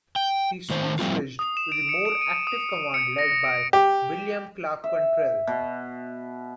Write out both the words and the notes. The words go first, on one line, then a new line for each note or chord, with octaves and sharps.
He soon switched to the more active command led by William Clarke Quantrill.
G5
A2 D#3 C5
F3 G3 A3 C4 F4
D#6
E7
D7
C#7
D7
D#7
D#6
C#7
A#6
D7
G4
E5
B2